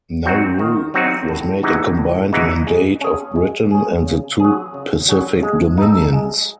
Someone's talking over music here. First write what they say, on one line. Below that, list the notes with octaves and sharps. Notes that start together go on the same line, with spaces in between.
Nauru was made a combined mandate of Britain and the two Pacific Dominions.
F#3 C4 D#4 F#4
D#3
F#3 C4 D#4 F#4
A2
E3 G#3 D#4 F#4
A2
E3 G#3 D#4 F#4
G#3
C#4 G#4
G#3
C#4 G#4
C#3
F#3 C#4 G#4
C#3
F#3 C#4 G#4
G#3
D#4 A4
G#3